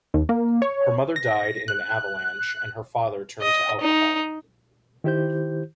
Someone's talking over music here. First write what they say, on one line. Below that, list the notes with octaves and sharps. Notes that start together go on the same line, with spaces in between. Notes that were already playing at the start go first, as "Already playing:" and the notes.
Her mother died in an avalanche and her father turned to alcohol.
D#2
A#3
C#5
A#6
F#6
D#5
D#4
D#3 E4 G4 C5 G6